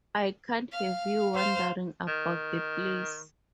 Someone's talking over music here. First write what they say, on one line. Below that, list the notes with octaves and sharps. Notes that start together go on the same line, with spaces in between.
I can't have you wandering about the place.
F5
C5 F5
D#3